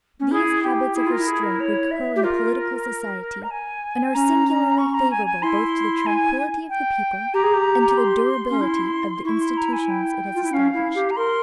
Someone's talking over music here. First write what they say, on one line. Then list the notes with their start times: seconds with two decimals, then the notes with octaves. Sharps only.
These habits of restraint recur in political society, and are singularly favorable both to the tranquillity of the people and to the durability of the institutions it has established.
0.20 C#4
0.31 E4 G#4
0.63 G4
0.95 E4 G#4
1.07 F4 A#4
1.19 E4
1.27 G#4
1.42 A#4
1.59 C#5
1.91 E5
2.16 G4
2.23 F4 A#4
3.42 A#5
3.50 G#5
4.14 C#4 A#5
4.78 C#6
4.93 A#5
5.10 G#5
5.26 G#5
5.42 E4 C6
6.06 G#5
6.69 G5
7.34 G4 A#5
7.43 G#4
7.54 G4
7.97 C6
8.50 C#4
8.61 E4
9.24 E4 C#6
9.40 C6
9.57 A#5
9.72 G#5
9.89 G5
10.35 F4
10.43 E4
10.52 C#4 F5
10.74 E4
10.95 G4
11.10 A#5
11.16 A#4 C6